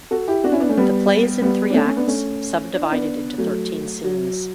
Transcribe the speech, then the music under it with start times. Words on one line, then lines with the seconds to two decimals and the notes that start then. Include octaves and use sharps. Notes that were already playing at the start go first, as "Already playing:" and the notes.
The play is in three acts, sub-divided into thirteen scenes.
0.11 F#4 A4
0.28 E4 G4
0.44 D4 F#4
0.52 C#4 E4
0.60 B3 D4
0.69 A3 C#4
0.77 G3 B3
1.42 G3 B3
1.70 D4
1.74 A3 C#4
1.86 A3 C#4
1.97 B3 D4
2.07 A3 C#4
2.74 D4
2.82 E4
2.91 B3 D4
3.38 F#3 A3
4.04 F#3